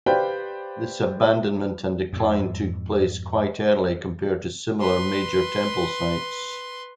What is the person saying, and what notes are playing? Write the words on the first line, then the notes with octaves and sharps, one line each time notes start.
This abandonment and decline took place quite early compared to similar major temple sites.
G4 B4 C5 D5 F5 G5
F2 G#2
B4 C6